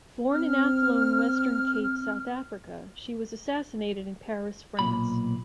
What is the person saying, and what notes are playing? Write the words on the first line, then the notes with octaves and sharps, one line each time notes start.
Born in Athlone, Western Cape, South Africa, she was assassinated in Paris, France.
C4 F6
B1 A#2 B5